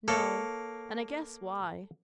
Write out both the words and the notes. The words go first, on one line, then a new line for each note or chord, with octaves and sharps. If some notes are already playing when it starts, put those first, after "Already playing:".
'No; and I guess why.
A#3 A4 C#5